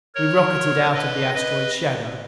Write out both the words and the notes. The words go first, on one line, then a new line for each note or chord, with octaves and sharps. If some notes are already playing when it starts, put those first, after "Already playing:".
We rocketed out of the asteroid's shadow.
A#4 C#5
B4 D#5
B4 D#5